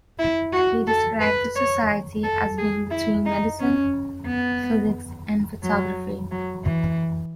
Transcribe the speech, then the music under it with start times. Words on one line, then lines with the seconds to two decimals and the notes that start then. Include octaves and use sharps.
He described the society as being between medicine, physics and photography.
0.19 E4
0.53 F#4
0.87 A4
1.21 B4
1.56 C#5
2.24 A4
2.58 G#4
2.91 E4
3.26 D#4
3.60 C#4
4.27 B3
5.63 F#3
6.31 F#3
6.64 E3